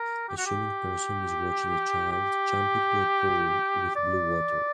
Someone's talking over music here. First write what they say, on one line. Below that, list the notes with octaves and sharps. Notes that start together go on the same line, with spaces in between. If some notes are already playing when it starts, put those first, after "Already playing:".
A swimming person is watching a child jump into a pool with blue water.
Already playing: A#4
G4
F#4
G4
G4
D5